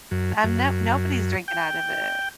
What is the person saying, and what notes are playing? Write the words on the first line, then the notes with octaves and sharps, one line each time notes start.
Um, no nobody's drinking out of it.
F#2
F#2
G5